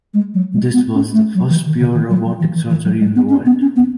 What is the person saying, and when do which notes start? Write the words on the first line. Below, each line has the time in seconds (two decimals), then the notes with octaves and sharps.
This was the first pure robotic surgery in the world.
0.14 G#3
0.34 F#3
0.54 G#3
0.73 B3
0.94 C#4
1.13 A3
1.35 F#3
1.50 E3
1.65 D#3
1.80 C#3
1.94 D#3
2.10 F#3
2.25 F#3
2.40 E3
2.55 E3
2.70 E3
2.84 F#3
3.01 G#3
3.16 B3
3.30 C#4
3.46 B3
3.61 C#4
3.76 B3